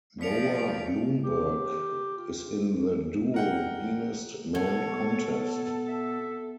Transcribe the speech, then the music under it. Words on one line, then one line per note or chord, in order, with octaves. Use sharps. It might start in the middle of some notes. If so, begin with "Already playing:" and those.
Noah Blumberg is in the duo Meanest Man Contest.
F3 G#4 D5 B6 C#7 D7 F7
G4
F4
A#4 F#5 G5
B2 A4 C#5
E5